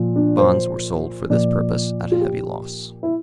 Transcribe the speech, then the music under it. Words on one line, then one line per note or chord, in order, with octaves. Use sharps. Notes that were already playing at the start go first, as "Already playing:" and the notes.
Bonds were sold for this purpose at a heavy loss.
Already playing: A#2 F3
D4
C5
A#2 F3 D5
F4
G4
E4